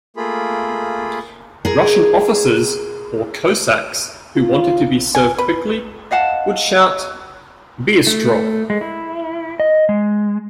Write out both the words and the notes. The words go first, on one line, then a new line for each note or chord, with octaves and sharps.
Russian officers or cossacks who wanted to be served quickly would shout "bystro".
A3 A#3 F4 G#4 B5
G#4 A#4
F4
G#5
B4
D#5 F5 F#5 A5
A3
G#3
E4
D#5
G#3